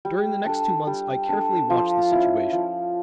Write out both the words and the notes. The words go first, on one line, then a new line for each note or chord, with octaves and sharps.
During the next two months I carefully watched the situation.
G3
D4 A4
G3
D4 A4
F3
C#4 E4
F3